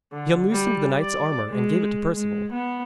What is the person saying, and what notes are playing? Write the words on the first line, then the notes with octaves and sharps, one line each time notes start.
He unloosed the knight's armour and gave it to Perceval.
D3
G3
D5
G#3
G#3
B3